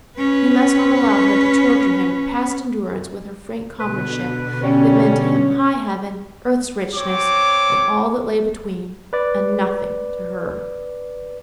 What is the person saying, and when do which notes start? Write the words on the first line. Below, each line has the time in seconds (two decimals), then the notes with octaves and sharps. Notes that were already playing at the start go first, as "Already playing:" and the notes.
He must not allow her to torture him past endurance with her frank comradeship that meant to him high heaven, earth's richness, and all that lay between, and NOTHING to her.
0.19 C#4 B4
3.80 B2 D3 B4
4.63 G3 C#4
6.94 C4 C#5 D6
9.13 B4 D5